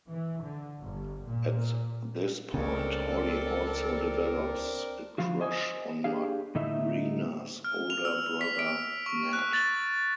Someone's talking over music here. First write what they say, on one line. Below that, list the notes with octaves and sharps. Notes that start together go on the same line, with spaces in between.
At this point, Holly also develops a crush on Marina's older brother Nat.
E3
D3
G1
A#2
C#2 C#3 C4 D4 A4 A#4
D3 F3 F4 F#4
C5 D#5 G#5
D4 G4 G#4 F5
A2 D3 A3 D#4 E4 E5
F6
F7
E6
B6
D7
C#6
F#6
A6